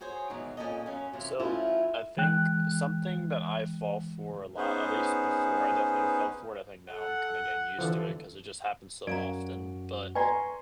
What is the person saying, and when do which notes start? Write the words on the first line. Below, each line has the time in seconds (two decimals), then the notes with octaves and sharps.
So, I think something that I fall for a lot, at least before, I definitely fell for it, I think now I'm kinda getting used to it, 'cause it just happens so often, but
0.01 F#4 G#4 C5 C#5
0.30 G#2 B2 D#3 E3 F#3
0.57 F2 A#2 C4 C#4 A4 D#5
0.86 F#2 C#4 F5
1.13 F#2 C3 E3 F4
1.39 F3 F#3 A3 C#4 E4 F4
2.17 D3 E3 G#3 G5 F#6
4.57 B3 C#4 D#4 G#4 B4 C5
6.89 A4 F#5
7.79 D3 E3 F3 A4
9.07 F#2 F#4 D5 F5 A#5 D7
10.15 B4 D5 G#5 A#5 C6 C#6